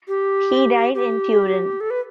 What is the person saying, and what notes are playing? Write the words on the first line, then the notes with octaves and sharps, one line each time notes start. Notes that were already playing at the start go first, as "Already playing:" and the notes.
He died in Turin.
G4
G4
A4
B4